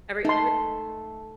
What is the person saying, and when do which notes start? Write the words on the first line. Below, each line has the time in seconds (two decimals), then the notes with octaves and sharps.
Every every
0.25 A3 D#4 C6